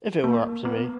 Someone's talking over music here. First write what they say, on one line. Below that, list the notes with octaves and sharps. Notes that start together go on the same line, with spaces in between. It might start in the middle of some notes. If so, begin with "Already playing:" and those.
If it were up to me.
A#3
B3